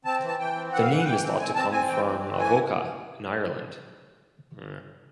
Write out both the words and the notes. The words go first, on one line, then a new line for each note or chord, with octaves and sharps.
The name is thought to come from Avoca in Ireland.
C4 A5
E3
A5
E3 G5
C4
E3 F#5
F5
E3 F#5
F#5
E3 G5
C4
C4 G#5
C4 A5
C4 G#5
E3 G5
C4
E3
A3 G#5